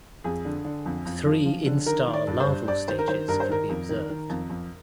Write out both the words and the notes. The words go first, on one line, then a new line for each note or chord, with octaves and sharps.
Three instar larval stages can be observed.
F2 G#4
D3
D3
F2
F2
F3
F3
D3
D#3 A#4
D#3
D5
G2
C5
G2
G2 D5
D#3 C5
A#4
D#3 C5
G2 A#4
C5
D#3 A#4
F2
D#3
D#3
F2
F2